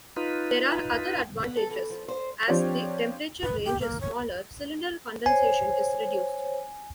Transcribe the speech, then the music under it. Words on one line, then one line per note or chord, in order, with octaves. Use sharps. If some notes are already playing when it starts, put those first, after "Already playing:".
There are other advantages: as the temperature range is smaller, cylinder condensation is reduced.
D#4 F4 B4
B3
A4
E3
F3
C5
F3 C4 D4 G4 C#5
B4
G4
A#3
C#5
C5 C#5 G#5